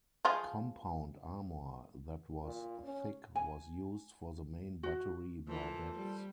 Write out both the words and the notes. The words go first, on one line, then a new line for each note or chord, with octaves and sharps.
Compound armor that was thick was used for the main battery barbettes.
F3 F4 G#4
A#2
C#4
G#5
F#4
A#2 E3 A4 C5
G3